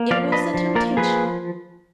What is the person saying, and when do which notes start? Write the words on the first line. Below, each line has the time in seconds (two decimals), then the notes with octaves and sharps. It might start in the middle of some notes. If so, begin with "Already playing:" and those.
It was a temptation.
Already playing: A#3
0.11 F3 D5 F5
0.32 D4 B4 D#5
0.54 F3
0.75 A#3 A#4 D5
0.97 F3 G#4 B4